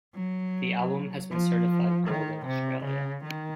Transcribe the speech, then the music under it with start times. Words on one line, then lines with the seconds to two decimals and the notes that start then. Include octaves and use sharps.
The album has been certified gold in Australia.
0.15 F#3
1.31 F3
2.08 D#3
2.46 C3
2.85 C#3
3.24 D#3